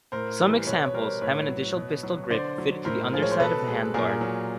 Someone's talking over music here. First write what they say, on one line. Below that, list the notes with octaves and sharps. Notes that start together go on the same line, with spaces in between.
Some examples have an additional pistol grip fitted to the underside of the handguard.
A2 A#4 C5
E3 G3
B4
C5
B2 B4 C#5
C#5
G3 A#4 C5
A2 B4 C#5
F#3
B2
F#3
D3 C5 D5
F#3
A2 A#4 C5
F3 G#3
C#5
C5
B2 A4 B4
G#3
A#2 G#4 A#4
F#3